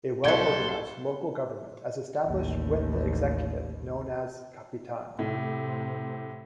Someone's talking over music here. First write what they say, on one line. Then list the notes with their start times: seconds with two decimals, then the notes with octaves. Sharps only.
A well organized local government as established with the executive known as "Capitan".
0.24 C2 F#3 G3 A4 F5 C6 G#6
2.26 A1 D#2
5.19 A2 C3